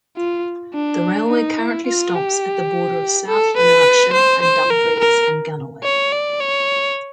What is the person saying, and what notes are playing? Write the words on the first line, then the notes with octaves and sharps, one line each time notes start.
The railway currently stops at the border of South Lanarkshire and Dumfries and Galloway.
F4
D4
D#4
E4
F4
G4
A4
B4
C5
C5
A#4
A#4
C#5
D5
C#5